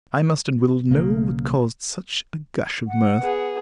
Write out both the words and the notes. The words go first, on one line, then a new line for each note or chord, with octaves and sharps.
I must and will know what caused such a gush of mirth.
B1 C#3 A#3
F#5
B3 G#4